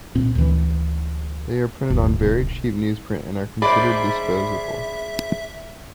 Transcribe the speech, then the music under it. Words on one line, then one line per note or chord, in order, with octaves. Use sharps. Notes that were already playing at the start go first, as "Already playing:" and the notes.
They are printed on very cheap newsprint and are considered disposable.
C2 A#2 C4
D2 E3
F1 D2 G2
D1 B1
G#4 C5 D5 E5 B5